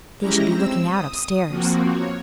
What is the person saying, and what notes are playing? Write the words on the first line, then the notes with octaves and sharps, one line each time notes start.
"If they should be looking out upstairs!"
G#3 C#4 E4 G4 A#5 A#6
C4 E6
D#6
F3 A#3 C4 F#4
C#5